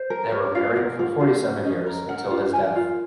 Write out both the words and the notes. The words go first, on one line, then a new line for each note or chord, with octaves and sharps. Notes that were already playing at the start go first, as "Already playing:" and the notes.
They were married for forty-seven years, until his death.
Already playing: C5
A#4
A#4 C#5
F4 F5
A#4 F#5
F4 F#5
F#4 F5
C#4
C#4 D#5
A#4
A#4 F#5
F4
A#4 G#5
F4